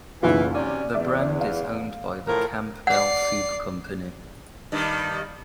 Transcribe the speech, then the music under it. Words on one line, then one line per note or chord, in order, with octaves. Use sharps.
The brand is owned by the Campbell Soup Company.
F#1 B1 E3 F4
C3 F#3 C#4 D5
E2 D5 E5
F5
A2 F3 A#4
D5 F#5 C7
G2 D#3 G3